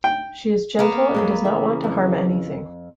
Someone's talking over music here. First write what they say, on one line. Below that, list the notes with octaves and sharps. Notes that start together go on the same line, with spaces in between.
She is gentle and does not want to harm anything.
G5
A#3 B3
F#2 F#3 G#3
C#3 E3 E5
F2